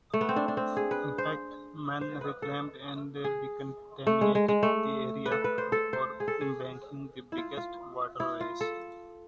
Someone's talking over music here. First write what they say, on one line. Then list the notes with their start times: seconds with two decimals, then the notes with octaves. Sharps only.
In fact, men reclaimed and decontaminated the area before embanking the biggest waterways.
0.14 A3
0.21 B3
0.29 C4
0.36 D4
0.48 D4
0.57 C4
0.77 G#4
0.91 B4
1.18 C5
2.01 C5
2.21 B4
2.42 A4
3.24 G#4
4.07 A3
4.21 G#3
4.35 G#3
4.48 G#3
4.63 A3
5.26 B4
5.32 A4
5.44 B4
5.58 C5
5.72 A4
5.93 C5
6.20 G#4
6.28 A4
6.41 G#4
7.32 E4
7.38 F4
7.57 F4
8.20 E4
8.41 F4
8.61 A4